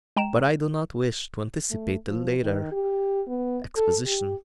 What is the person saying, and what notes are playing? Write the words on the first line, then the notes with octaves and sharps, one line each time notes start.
But I do not wish to anticipate the later exposition.
G#3 G5 A#5 E7
A3
F3
D#3
G4
B3
A4
G4